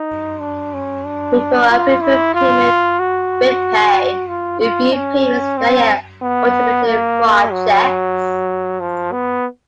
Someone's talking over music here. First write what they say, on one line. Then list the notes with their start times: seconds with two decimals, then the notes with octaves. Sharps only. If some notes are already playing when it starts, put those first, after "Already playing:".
Before approving payment, Bidpay reviewed payments via automated fraud checks.
Already playing: D#4
0.41 D4
0.74 C#4
1.06 D4
1.70 F4
2.02 E4
2.34 F4
2.99 F#4
4.28 F4
4.61 F4
4.93 C#4
5.58 C4
6.22 B3
6.87 A#3
7.52 F#3
8.80 F3
9.12 B3